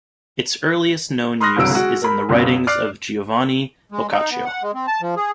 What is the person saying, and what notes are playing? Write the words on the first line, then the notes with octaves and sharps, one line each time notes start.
Its earliest known use is in the writings of Giovanni Boccaccio.
B5 C6 D#6 F6 F#6 A#6
G1 C2 C#3 F#3 E6 D7
G#3 F#4
A#4 B5
C#2 F#2 B2
D5 D6 F6 F#6 C7
G#3
D#4
B3
F#5
G#3
C4
A5
F3
G#4